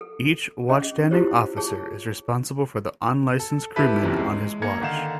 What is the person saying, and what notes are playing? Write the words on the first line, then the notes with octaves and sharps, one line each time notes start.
Each watchstanding officer is responsible for the unlicensed crewmen on his watch.
A4
C#4 G#4 D#5
E4 F4 G4 C5 C#5
G#4 C#5 A5
A4
E4 G4 A4 B4 E5
F#1 D#2 C3 E3 F3
G#3
A#3 G#6 C#7
D3 D#3 F5 E7